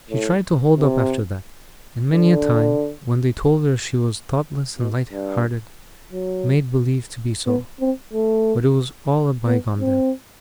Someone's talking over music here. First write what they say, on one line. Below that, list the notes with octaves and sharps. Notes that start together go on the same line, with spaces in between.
'She tried to hold up after that; and many a time, when they told her she was thoughtless and light-hearted, made believe to be so; but it was all a bygone then.
A2
C3
D3
B2
G2
F#3
B3
C4
A3
B3
C4